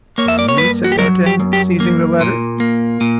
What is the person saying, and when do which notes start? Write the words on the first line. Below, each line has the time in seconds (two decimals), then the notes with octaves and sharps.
"For me?" said d'Artagnan, seizing the letter.
0.18 A#3 C#5
0.28 E5
0.39 D5
0.49 C#5
0.58 G2 B4
0.84 F#4
0.92 G4
0.99 F#3 A#4
1.26 G4
1.40 F#2
1.53 G4
1.80 A#3
2.21 A#2
2.60 A#3
3.01 A#2